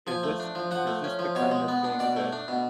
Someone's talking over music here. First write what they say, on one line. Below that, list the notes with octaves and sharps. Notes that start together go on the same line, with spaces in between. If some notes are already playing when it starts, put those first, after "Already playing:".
Is this is this the kind of thing that
F3 G#5
A3
D4
F3
F3 F#5
A3
C#4
F3
B2 C#5
G#3
B3
D4
B2 D5
A3
D4
B2